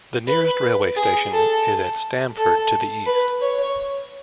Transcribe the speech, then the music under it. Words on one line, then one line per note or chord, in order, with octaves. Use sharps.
The nearest railway station is at Stamford to the east.
B4
G#4
A4
A4
B4
C#5